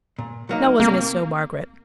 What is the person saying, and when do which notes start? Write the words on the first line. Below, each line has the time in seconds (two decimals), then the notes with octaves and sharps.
Now wasn't it so, Margaret?'
0.19 A#2
0.49 F#3 A#3 D#4
0.80 C3 A#3